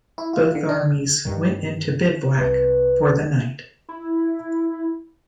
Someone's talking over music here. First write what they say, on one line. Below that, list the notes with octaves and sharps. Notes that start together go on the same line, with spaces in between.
Both armies went into bivouac for the night.
E4
F4
D3
D4
G2 D#3
C2 B4
E4